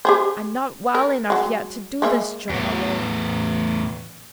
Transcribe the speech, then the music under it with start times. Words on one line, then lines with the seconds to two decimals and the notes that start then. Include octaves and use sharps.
"I'm not well enough yet to do this job alone."
0.05 G4 G#4 C5
0.95 A#4
1.30 F#3 G#3
2.02 G#3 A#3 E5
2.49 E2 A2